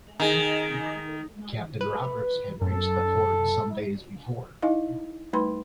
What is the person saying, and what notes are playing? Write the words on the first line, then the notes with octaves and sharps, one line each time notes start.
Captain Roberts had reached the fort some days before.
D#3 D#4 G#4
B4
F#2 A4
D#4 E4 D#5 F5
G3 A3 D#4 B4 B5 C6